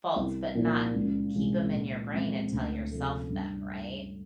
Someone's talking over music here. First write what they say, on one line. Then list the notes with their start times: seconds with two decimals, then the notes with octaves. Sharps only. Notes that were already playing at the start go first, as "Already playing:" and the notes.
faults, but not keep 'em in your brain and tell yourself them, right?
0.16 C2
0.55 A#2 F3 A#3 D#4
0.95 C#2
1.34 C3 E3 G#3
1.73 A#2
2.12 F3 G#3 C4
2.52 D2
2.91 C3 F3 A3
3.30 G2